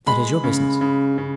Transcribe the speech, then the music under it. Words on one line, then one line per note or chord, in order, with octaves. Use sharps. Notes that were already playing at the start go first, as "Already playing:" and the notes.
"That is your business."
G#3 B5
C#3
C#3
C#3